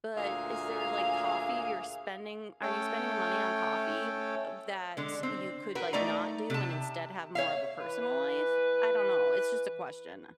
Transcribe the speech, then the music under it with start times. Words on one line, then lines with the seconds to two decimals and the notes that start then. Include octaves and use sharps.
but is there, like, coffee you're spending are you spending a money on coffee of that you could, like, not do and instead have more of a personal life? I don't know, it's just a question,
0.15 D2 A#2 G#4 E5 F5
2.62 A3 C#4 A4 C#5 G5
4.97 D3 G#3
5.23 C4
5.75 F#4 A#4 B4
5.93 A3 D#4 D5 A#5
6.50 C3 A5
7.35 C#5 E5 F5
7.80 E3 B4